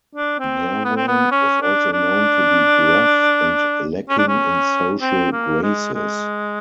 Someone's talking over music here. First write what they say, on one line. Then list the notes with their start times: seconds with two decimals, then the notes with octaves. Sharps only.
Marwan was also known to be gruff and lacking in social graces.
0.15 D4
0.39 C4
0.85 B3
0.97 C4
1.08 B3
1.32 C#4
1.62 D4
1.93 D4
4.09 C#4
4.18 D4
4.28 C#4
5.01 C4
5.32 A#3
5.63 G#3
5.94 G#3